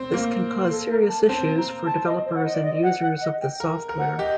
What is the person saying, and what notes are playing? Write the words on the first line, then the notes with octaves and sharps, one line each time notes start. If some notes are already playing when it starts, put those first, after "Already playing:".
This can cause serious issues for developers and users of the software.
Already playing: C4
A#3
A4
A#4
A5
C4 A5
A#5
A5
D#5
C5
F#5
D#5
D5
D#5
F#5
F#5
D#5
G5
A#4
A#4
F#5
G4 D#5